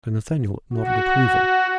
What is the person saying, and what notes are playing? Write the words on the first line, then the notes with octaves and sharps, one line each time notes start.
Sir Nathaniel nodded approval.
F#4